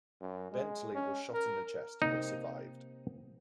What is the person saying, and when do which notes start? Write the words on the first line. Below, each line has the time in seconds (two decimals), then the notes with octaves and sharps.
Bentley was shot in the chest, but survived.
0.21 F#2
0.52 G#3
0.95 C#4
1.34 A#4
2.02 C3 A#3 C4 D#4